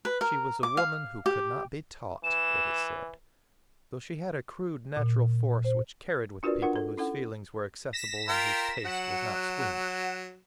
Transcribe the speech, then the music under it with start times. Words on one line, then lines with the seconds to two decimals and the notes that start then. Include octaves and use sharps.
She was a woman who could not be taught, it is said, though she had a crude natural force which carried with people whose feelings were accessible and whose taste was not squeamish.
0.05 B4
0.21 A#4
0.63 D6
0.77 F5
1.26 G4
2.23 E3 E7
4.97 A#2
5.65 C5
6.43 D4 F4 F#4 A#4 B4 D5
6.62 D4 F4 A#4 F#5
6.76 A4
6.98 C#4 E4 A4 F#5
7.93 A#6 B6 E7
8.29 F4 A#4 G5
8.85 F#3 F#5 E7